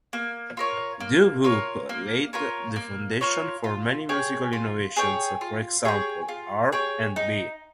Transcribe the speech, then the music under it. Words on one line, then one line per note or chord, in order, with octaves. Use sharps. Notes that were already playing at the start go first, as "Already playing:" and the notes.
Doo-wop laid the foundation for many musical innovations, for example, R and B.
A#3
F4 A#4 C#5
A#3
F4 A#4 C#5
A#3
F4 A#4 C#5
A#3
F4 A#4 C#5
F4
G#4 C#5 G5
F4
G#4 C#5 G5
F4
G#4 C#5 G5
F4
G#4 C#5 G5
D#4